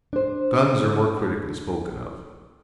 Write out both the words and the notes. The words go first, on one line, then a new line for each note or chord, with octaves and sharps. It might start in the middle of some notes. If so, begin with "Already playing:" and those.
Guns are more critically spoken of.
D4 C5